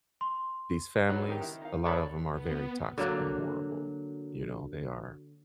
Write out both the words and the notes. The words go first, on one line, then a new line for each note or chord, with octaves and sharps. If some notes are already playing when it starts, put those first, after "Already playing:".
these families, a lot of them are very toxic and horrible, you know? They are.
C6
F#3 D4 D#4 B4
D#3 D#4 G4
D#3 E4
D#4 F5
A4 B4 C#5 D5 A5 B5
B3
D3 F#3 A#3